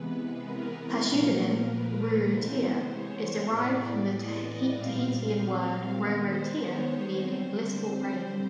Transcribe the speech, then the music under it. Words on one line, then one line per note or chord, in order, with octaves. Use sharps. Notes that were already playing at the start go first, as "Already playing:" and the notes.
Her pseudonym, Rurutia, is derived from the Tahitian word 'rorotea' meaning "blissful rain".
Already playing: C3 E3 G#3 B3 B4
A#4
A#2 F3 A#3
B4
C3 E3 G#3 B3 C5
C#5
A2 E3 G#3 B3 D5
D#5
A#2 G3 C4 F5
D#3 G#3 B3
C5
C#5
D3 G3 C4 C5